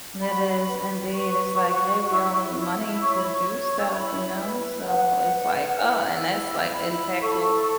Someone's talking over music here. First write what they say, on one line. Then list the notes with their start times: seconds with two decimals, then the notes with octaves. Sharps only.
It is, indeed, it's like, "Hey, we all need money to do stuff," you know? So, it's like, "Oh" and that's like impactful,
0.21 F#4 B5
0.67 B4
1.14 B4 C#6
1.62 F#4
2.07 E4
2.54 E4
3.01 C#5 C#6
3.15 B5
3.29 C#6
3.48 C#5
3.79 E6
3.88 C#6
3.94 E4 B5
4.41 B4
4.87 B4 F#5
5.34 B4
5.81 E4
6.27 E4
6.75 E4 B5
7.21 A4 C#6
7.30 B5
7.40 C#6
7.62 C#6